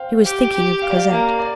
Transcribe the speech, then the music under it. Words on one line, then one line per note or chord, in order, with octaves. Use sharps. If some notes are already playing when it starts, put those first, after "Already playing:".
He was thinking of Cosette.
Already playing: C5 F5 G5
G4
G4 G5
F5
D5
F5
A#3
D5